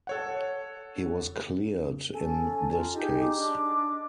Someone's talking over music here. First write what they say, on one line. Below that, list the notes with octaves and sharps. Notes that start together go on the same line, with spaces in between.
He was cleared in this case.
A4 C#5 F#5
C#4 A4 G#5
F4 A#5
D#4 G4 G#4 D#5
D#5 D6
D4 D#5 D6